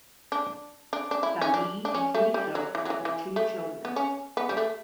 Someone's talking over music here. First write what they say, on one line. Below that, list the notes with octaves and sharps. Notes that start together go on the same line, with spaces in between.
Salim and Carrizo have two children.
D4
D4
D4
E4
C#4
D4
D4
C#4
A3
G3
F#3
E3
F#3
E3
E3
A3
B3
C#4
B3
G3
A3